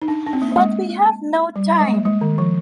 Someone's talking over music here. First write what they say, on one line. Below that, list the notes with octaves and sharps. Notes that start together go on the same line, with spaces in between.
But we have no time.
D#4
D4
D4
C4
A#3
A#3
G#3
G3
G#3
A#3
G#3
D#3
F3